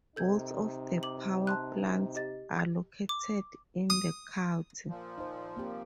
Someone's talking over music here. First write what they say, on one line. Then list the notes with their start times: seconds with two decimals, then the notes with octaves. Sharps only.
Both of the power plants are located in the county.
0.16 C3 D#4 A4 G6 G#6
1.03 D6 F#7
1.47 A5 C6 F#6
2.15 G4 D#5 A6
3.09 D6
3.90 D#6
4.88 A#2 F3
5.18 D#4 C5
5.56 A#3 C4 G4